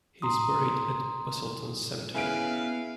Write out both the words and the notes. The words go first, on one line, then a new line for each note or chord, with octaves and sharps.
He is buried at Busselton Cemetery.
A#5 C6 D#6
C#3 B3 E4 B4 F5 G#5 F6 D7